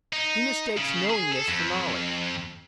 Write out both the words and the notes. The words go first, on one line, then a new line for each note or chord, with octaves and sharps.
He mistakes knowingness for knowledge.
D#4
C#3
G#4
A4
F2